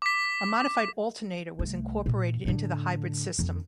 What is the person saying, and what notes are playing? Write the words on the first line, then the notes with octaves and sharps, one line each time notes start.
A modified alternator was incorporated into the hybrid system.
D6 B6
C2 A3
A#2
A2 D3
F2 B3